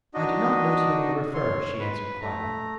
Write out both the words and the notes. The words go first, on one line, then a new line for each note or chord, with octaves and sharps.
"I do not know to whom you refer," she answered quietly.
D4 D#4 F#4 D#5
C#5 C6
B4
A3 A#5